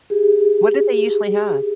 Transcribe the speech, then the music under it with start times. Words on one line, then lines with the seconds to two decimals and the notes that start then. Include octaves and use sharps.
What do they usually have?
0.10 G4 G#4